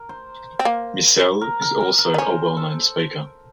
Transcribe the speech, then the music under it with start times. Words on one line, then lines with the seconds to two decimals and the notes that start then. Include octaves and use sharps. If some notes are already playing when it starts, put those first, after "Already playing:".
Miesel is also a well-known speaker.
Already playing: A#4
0.09 C5
0.59 C4
0.65 A#3
1.41 A#4
1.62 A#4
1.81 A#4
1.99 A#4
2.14 D#4
2.18 C#4 C5
2.57 A4